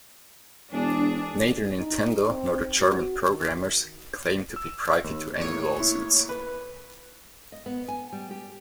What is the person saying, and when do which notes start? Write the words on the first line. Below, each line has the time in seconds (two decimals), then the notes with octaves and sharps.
Neither Nintendo, nor the German programmers claim to be privy to any lawsuits.
0.72 E1 D4 G#4
1.78 D#4
2.29 C4
2.80 F#4
3.30 D#3
4.56 E6
5.04 D#2
5.41 A2 A#3 C#5
5.80 E4
6.29 B4
7.52 D#5
7.66 B3
7.88 G#5
8.12 G3
8.31 G4